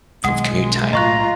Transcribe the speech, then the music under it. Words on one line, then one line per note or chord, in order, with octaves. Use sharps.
f of commute time,
B1 D#3 G#3 F#5 D#6
A2 F#3 F4 D#5 A#5 C#6 F#6